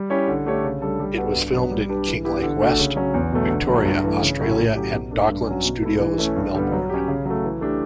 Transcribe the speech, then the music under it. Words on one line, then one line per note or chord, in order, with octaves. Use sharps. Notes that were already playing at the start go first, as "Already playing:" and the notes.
It was filmed in Kinglake West,Victoria, Australia and Docklands Studios Melbourne.
Already playing: G3
C#4 E4 G4 C#5
D3
A3 D4 G4 C#5
C#3
G3 D4 A4
G3
B3 F#4 A4
G2
F#3 B3
G3
D4 G4 B4
E3
B3 E4 G4
D3
A3 D4 F#4
C#3
F#3 C#4
E2
B2 F#3 A3
D3
F#3 A3
G2
E3 A3
C#3
F#3 C#4 E4
A2
F#3 C#4 G4
B2
A3 D4
G2
F#3 C#4
B2
A3 E4
E3
A3 C#4
G2
D3 G3 B3
F#3
C#4 G4
C#3
F#3 A3
E3
A3 D4 G4